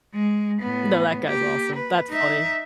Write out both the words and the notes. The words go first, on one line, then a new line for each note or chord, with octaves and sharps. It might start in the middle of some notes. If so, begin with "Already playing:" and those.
Th that guy's awesome. That's funny.
G#3
A2 B3
A#3 G4
B4
D#4 E5